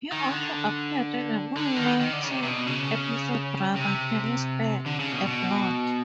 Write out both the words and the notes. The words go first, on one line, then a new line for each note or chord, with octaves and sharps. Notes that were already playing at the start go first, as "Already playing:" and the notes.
He also appeared in the Moonlighting episode Brother, Can You Spare A Blonde?
D#3
D3
D3
D#3
D#3
D3
C#3
C3
C3
B2
C#3
C3
D3
C#3
B2
B2